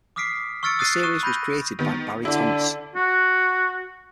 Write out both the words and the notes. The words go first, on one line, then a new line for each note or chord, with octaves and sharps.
The series was created by Barry Thomas.
D6 D#6 F6 B6 C7 D7
C#6 E6 F6 A6 C#7 D7
D#6 F#6 A6 C7 D#7
C#6 D#6 F#6 D#7 E7
B5 G6 A#6 D#7
D#3 B3
D3 E4
F#4